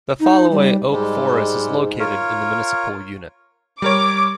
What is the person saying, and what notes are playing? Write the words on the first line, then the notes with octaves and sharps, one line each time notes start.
The Foloi oak forest is located in the municipal unit.
D#4
G3
G#2 G3 G#3
F4 A#4 C#5
G3 A#4 C#5 D6